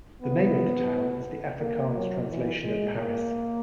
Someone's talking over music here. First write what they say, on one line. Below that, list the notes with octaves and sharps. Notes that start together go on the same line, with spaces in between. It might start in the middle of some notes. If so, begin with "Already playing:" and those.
The name of the town is the Afrikaans translation of Paris.
B3
A#3
F#3
E3
G#3
A#3